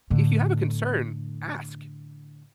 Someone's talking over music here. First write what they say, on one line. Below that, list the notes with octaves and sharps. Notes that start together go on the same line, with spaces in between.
"If you have a concern, ask.
A2 D3